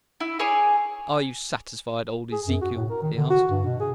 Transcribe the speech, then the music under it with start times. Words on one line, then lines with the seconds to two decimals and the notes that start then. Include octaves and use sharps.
"Are you satisfied, old Ezekiel?" he asked.
0.20 E4
0.39 G#4 C#5 G#5 D6
2.32 G#4
2.46 F#2
2.61 F#4
2.75 A2
2.90 A#4
3.02 D#3
3.16 D3
3.30 F#4
3.50 G2
3.65 B2
3.80 G#4